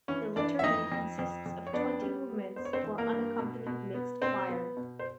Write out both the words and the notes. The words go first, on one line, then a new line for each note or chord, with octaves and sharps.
The "Liturgy" consists of twenty movements for unaccompanied mixed choir.
E3 C#4 C#5
E3 D4 D5
E5
F2 D#4 D#5
F2
F2
F2
C#5
B3 D4 D5
G3
B3
B3 C5
C#5
C4 C5
E3
A#3 A#4
G2
B2
B2
B3
B2 C4 C5
B3
B2
C5